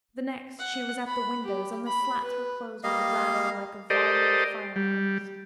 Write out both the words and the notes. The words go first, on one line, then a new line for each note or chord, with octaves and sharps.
The next she was at the windows and the slats were closed with a rattle like a volley of firearms.
F#5
B5
G4
B5
B4
G3 A#3 D#5 F5
G4 A4 A#4 C5 D5 D#5
G3